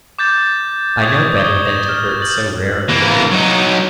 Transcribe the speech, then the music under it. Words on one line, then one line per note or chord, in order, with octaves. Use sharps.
I know better than to hurt so rare a bird.
D6 G6 A6
C#6 D#6 G6 G#6
D6 D#6 G7
A#6 E7
F6
G6 A6 F#7
E3 A#3
F#3 D#4